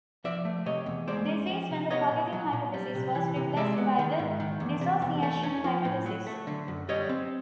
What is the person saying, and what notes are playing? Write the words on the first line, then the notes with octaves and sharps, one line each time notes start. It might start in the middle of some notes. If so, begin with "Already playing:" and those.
This is when the forgetting hypothesis was replaced by the dissociation hypothesis.
F3 D5 E5
A3
C3 C#5 D#5
E2
G#3 C5 D5
C#4
F3
C3
B3 C#5 D#5
A#2
F#3
A#2
G3
C3
E3
C3
G#3 D5 E5
B3
D#3
G#2
D#3
E2
C3
E2
A3
C#4
F3
A2
F#3
A3
D3
F#2
G3 C#5 D#5
C4